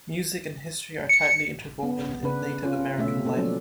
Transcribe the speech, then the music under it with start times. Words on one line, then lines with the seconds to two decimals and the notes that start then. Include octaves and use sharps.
Music and history are tightly interwoven in Native American life.
1.09 C#7
1.83 B3
2.23 C#3 D4 B4
2.63 C#4 F4
2.98 B2 D3 A3 C#4 E5
3.25 A#3 C4 A4
3.37 F3 F#3 C#4 D4